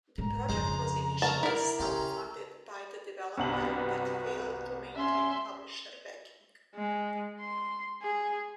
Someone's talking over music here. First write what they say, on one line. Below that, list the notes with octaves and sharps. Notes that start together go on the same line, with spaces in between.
The project was initially self-funded by the developer but failed to maintain publisher backing.
G#2 A#5
F2 C#3 G#3 C5
A3 A#4 A5
D4 E4 A#4
C#3 C#4 G4 C6
G1 C2 D4 F#4 F#7
B4
C#4 E5 C6
G#3
C6
G#4